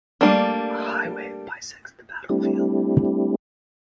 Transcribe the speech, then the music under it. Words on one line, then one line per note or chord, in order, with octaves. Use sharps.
A highway bisects the battlefield.
G3 A3 A#3 D4
G3 A3 C4 D4 E4 G4